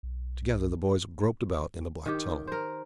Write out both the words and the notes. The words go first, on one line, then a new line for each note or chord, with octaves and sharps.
Together the boys groped about in the black tunnel.
B1
D#3 G4
A#4 C5